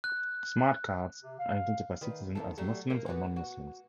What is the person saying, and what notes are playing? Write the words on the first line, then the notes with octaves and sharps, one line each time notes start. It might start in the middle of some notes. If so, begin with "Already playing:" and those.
Smart Cards identify citizens as Muslims or Non-Muslims.
F#6
C3
F5
D#3 B4
E2 D#3 A4
F#3 G3 A3
A#3
E3 B3 F#4
F#4